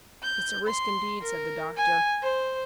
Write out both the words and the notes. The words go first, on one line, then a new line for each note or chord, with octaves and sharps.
"It's a risk indeed," said the doctor.
G6
C6
A#4
G#5
C5